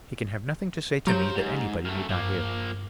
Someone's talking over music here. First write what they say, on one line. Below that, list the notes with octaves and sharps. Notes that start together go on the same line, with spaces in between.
He can have nothing to say to me that anybody need not hear.
F#3 F4 G4 C5 A#5 G6
G#2
F#2 A3 F6
G2 F3 A#3 D6